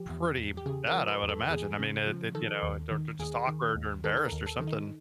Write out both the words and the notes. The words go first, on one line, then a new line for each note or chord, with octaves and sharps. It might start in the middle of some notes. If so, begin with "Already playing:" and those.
pretty bad, I would imagine, I mean, it it, you know, they're they're just awkward, or embarrassed, or something.
Already playing: F3 G4
E2
E2
G4
C#3 G#4
A#4
F3
B4
E2
A4
E2 G#4
C#3
F3
D#3 A4
D#2
D#3
D#2 G#4
D#3
D#2
D#3 A4
A4
A#4
D#2
A4
D#3
D#4